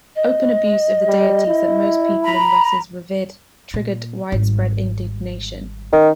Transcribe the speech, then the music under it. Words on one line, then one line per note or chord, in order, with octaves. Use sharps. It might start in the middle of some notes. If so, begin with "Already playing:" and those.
Open abuse of the deities that most people in Rus' revered triggered widespread indignation.
D#5
G3
E4
A#5 B5
A#2
G#1 G3
D#3 C#4